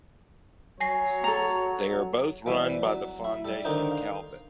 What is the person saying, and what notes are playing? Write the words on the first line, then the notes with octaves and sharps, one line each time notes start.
They are both run by the Fondation Calvet.
F#3 C#5 G#5 A#6 C7
A4 A#5
C2 E3 G3 E4
F#3
E4
G3 A4
D3 D#3 D4 D#4 C5
F5 C6